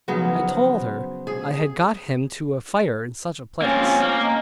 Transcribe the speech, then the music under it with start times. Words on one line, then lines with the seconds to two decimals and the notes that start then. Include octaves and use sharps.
I told her I had got him to a fire in such a place.
0.08 C#3 F3 F#3 B3 D#4
0.47 C5
1.27 G#4
3.61 A#3 C4 C#4 F4
4.01 A#3
4.20 D#4